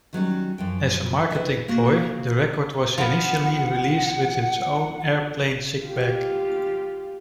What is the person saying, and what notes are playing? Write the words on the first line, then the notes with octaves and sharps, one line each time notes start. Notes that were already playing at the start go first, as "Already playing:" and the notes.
As a marketing ploy the record was initially released with its own airplane sickbag.
D#3 F#3 G3 C#4
F#2 F3 G5
E4 B4 D#5 E5
A#3 F#4
F3 B3 F#5
F4 G4